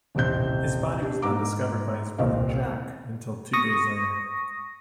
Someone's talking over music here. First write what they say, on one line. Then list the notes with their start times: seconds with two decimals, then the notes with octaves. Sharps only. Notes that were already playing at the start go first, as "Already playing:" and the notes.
His body was not discovered by his brother, Jack, until two days later.
0.15 D#1 A1 C3 C4 G6
1.02 D4 G4
1.22 G#2 A#5 D6
2.18 D#1 C2 A#2 C4 D#5 F5
3.53 C#6 D#6 A#6